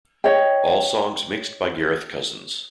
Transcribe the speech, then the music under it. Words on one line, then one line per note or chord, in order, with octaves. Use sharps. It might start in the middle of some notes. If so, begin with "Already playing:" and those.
All songs mixed by Gareth Cousins.
C#5 D#5 G5